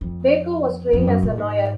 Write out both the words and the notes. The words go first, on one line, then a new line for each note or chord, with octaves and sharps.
Baker was trained as a lawyer.
F2
F2
F#2
A#2
G#2